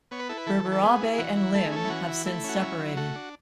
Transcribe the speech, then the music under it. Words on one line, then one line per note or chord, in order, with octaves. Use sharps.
Berberabe and Lim have since separated.
B3 C#5
B4
E4 A4
B4
E3 A4
E3
A4
B3 G#4
E4
G#4
E3 F#4
E4
A3 A4
G#4
C#4 A4
E4
E3 F#4
E4
A3 E4
C#4 F#4
F#3 E4
F#3
A3 F#4
D4